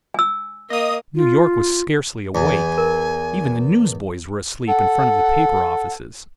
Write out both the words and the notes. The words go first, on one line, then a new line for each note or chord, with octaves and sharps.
New York was scarcely awake; even the newsboys were asleep in front of the paper offices.
G#5 E6
A#3 D#5 D#6
F4
E2 G#5
A#4
A4 F#5